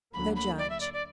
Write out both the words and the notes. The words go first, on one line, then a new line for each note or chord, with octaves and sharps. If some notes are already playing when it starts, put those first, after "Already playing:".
The Judge.
D2 D3 F#3 A#3 B5
B5
D5
E5
D5
D5